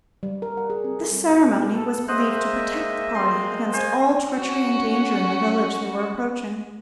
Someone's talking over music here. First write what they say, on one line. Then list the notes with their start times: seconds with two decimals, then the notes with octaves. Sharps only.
This ceremony was believed to protect the party against all treachery and danger in the village they were approaching.
0.23 G3
0.42 A#4
0.57 F#5
0.70 G#4
0.84 C4
1.00 A4
1.28 B2
1.73 A4
2.08 G#3 A#3 C5 D#5 E5 F#5 D#6
3.15 C4 C6
3.74 C5 G#5
4.32 C#4 F#4